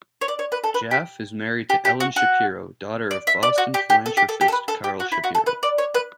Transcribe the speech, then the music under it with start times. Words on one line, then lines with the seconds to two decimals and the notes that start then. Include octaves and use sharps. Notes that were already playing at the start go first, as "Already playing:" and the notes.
Jaffe is married to Ellen Shapiro, daughter of Boston philanthropist Carl Shapiro.
0.21 C#5
0.28 D5
0.39 C#5
0.52 B4
0.64 A4
0.74 B4
0.91 G4
1.70 G4
1.85 G4
2.00 F#4
2.16 F#4
3.11 D5
3.27 E5
3.43 D5
3.58 F#4
3.74 G4
3.90 G4
4.06 A4
4.17 G4
4.29 A4
4.41 G4
4.48 A4
4.52 B4
4.68 A4
4.84 G4
5.00 F#4
5.12 E4
5.24 F#4
5.35 A4
5.46 B4
5.63 D5
5.78 C#5
5.94 B4